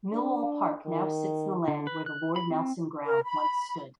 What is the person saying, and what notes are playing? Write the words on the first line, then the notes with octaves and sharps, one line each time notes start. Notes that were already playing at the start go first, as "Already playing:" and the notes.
Millwall Park now sits on the land where the Lord Nelson Ground once stood.
D4
D#3
D3
B4
F#6
B5
C4
A#4
B5